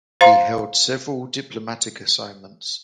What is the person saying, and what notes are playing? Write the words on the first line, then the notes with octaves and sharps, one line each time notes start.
He held several diplomatic assignments.
C5 F5 A#5 C6